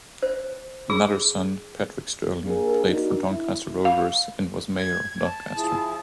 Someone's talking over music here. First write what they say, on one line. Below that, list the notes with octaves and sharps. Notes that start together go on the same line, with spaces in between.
Another son, Patrick Stirling played for Doncaster Rovers and was Mayor of Doncaster.
C5
G#4
A#3 D4 G4 G#4 A#4
D4 D#4 F#4 A#4
E4
F5
G#6
A5
F3 E4 G#4